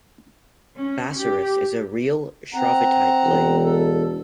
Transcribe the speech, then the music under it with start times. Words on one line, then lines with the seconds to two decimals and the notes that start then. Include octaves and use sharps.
"Bassarus" is a real Shrovetide play.
0.76 C#4
1.18 G4
2.54 C4 F#5 A#5
3.25 E1
3.63 A4